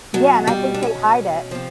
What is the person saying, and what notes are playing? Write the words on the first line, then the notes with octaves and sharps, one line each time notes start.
Yeah, and I think they hide it.
B2 F#3
G3
D4
C#4
C3 F3